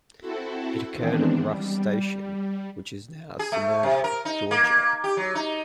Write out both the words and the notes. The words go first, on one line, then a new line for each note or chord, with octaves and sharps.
It occurred at Ruff's Station, which is now Smyrna, Georgia.
C4 E4 F#4 A4
D#3 E3 G#3 B3 C4 D4
G3
G#4
A3
C3
A#4
D#4
A#3
A#3
G4
F#3
D#4